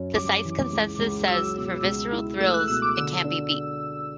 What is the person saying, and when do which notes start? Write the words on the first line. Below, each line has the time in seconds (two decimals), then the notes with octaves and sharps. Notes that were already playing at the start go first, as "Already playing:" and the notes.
The site's consensus says, For visceral thrills, it can't be beat.
Already playing: F#2 C#4
0.16 G3 D6
0.45 E3
0.73 C#2
1.00 C#2
1.28 F#3 E6
1.57 B2
1.84 C#2
2.12 E4
2.40 A3 E6
2.54 F#6
2.68 B2 E6
2.82 D6
2.96 D3 E6
3.24 D4